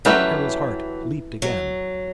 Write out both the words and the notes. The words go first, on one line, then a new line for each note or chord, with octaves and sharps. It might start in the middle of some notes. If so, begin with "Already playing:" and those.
Harry's heart leaped again.
E3 F#3 A3 C#4 G4 B4
F#3